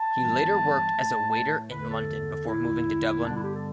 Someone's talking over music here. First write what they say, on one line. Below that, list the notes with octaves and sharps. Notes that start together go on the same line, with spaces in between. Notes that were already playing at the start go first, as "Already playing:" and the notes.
He later worked as a waiter in London before moving to Dublin.
Already playing: A5
G2 E3 G3 B3
A2 A3
A5
E2 D3 A3 B4
A4
E2 D3 A3 E4
G2 D3 G3 B3 D4
E4
G4
A4